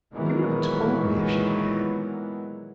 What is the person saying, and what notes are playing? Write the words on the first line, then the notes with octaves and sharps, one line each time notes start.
She would have told me if she had.
A#2 D#3 E3 F#3 G#3 B3